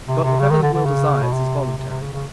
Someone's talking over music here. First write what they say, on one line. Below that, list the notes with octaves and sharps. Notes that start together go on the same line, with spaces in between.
But whatever the will desires is voluntary.
C3
C3
C#3
D#3
D3
D3
C#3
B2
C3
C3
C3
C#3
C#3